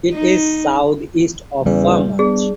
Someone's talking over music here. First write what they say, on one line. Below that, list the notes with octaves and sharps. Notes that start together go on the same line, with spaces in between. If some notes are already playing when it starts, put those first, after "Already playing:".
It is southeast of Fermont.
D#4
E2 C#3 G3
B3 D4 G#4